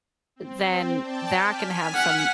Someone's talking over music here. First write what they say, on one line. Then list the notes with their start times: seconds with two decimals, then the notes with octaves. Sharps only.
then that can have some
0.36 C4
1.00 D5 G5 A5
1.45 G#5 F6 B6
1.95 F#5